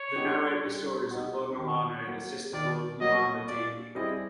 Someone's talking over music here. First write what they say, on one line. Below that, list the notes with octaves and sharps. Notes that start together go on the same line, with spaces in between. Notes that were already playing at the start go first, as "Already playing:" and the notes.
The narrate the stories of Lord Mallana and his sister Lord Yellama Devi.
Already playing: C#5
B3 D#4 G4
G3
B3 D#4 G4
D#3
F#3 A#3
D#3 D5
F#3 A#3 D#5
A#2 D5
G3 C4 E4 G#4 D#5